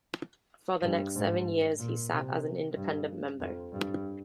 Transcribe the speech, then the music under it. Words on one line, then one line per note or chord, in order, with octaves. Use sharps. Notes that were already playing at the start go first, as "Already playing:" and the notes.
For the next seven years he sat as an independent member.
G2
G#2
A#2
C3
G2
F2
G2